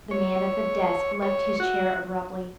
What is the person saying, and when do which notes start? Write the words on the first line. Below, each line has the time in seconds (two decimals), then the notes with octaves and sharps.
The man at the desk left his chair abruptly.
0.11 C#5
1.22 C#5
1.60 F#4